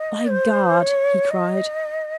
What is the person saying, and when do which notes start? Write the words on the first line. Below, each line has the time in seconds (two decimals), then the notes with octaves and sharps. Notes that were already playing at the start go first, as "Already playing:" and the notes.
"By God!" he cried.
Already playing: D#5
0.31 C5
0.80 C#5
1.31 D#5